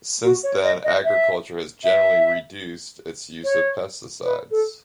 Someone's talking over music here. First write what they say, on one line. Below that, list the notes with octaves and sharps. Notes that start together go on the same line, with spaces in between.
Since then, agriculture has generally reduced its use of pesticides.
F#4
C#5
D#5
D#5
E5
E5
C#5
B4
A4